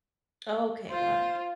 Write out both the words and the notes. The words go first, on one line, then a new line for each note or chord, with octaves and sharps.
Okay, got it.
F4 C5